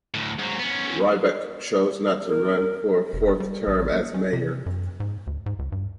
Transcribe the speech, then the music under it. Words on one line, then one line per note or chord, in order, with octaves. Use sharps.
Rybak chose not to run for a fourth term as mayor.
D2 A2
G#2 F#3
B3 C#4
A#4
F1
G3
A1
A#3
C#4
C3
F#2
G#2
D2
G#2
C#2
G2